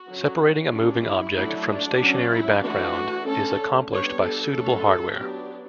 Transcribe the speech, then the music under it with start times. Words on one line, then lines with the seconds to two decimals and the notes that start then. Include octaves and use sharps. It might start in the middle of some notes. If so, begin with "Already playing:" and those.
Separating a moving object from stationary background is accomplished by suitable hardware.
Already playing: F#4
0.09 D3 F#3 C#4
0.72 G3 C#4 D4
1.04 E4
1.36 F#3 A3 D4 E4
1.68 D4
1.99 F#3 C#4
2.31 E4
2.62 E3 A3 D4 F#4
3.25 D3 A3 C#4 A4
3.89 G3 B3 D4 C#5
4.21 A4
4.53 D3 F#3 A3 C#4
5.16 F#3 B3 D4 G4